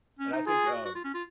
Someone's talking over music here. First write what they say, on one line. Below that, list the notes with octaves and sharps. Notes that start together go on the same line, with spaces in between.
And I think, um,
C#4
D#4
F4 G#4
F#4
F#4
F4
C#4
F4